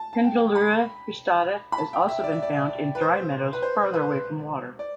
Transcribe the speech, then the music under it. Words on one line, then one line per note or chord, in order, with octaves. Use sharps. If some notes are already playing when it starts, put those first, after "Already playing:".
"Condylura cristata" has also been found in dry meadows farther away from water.
Already playing: A5
A5
G5
B5
B5
A5
G5
E5
D5
E5
D5
B4
C5
B4
C5
B4
D5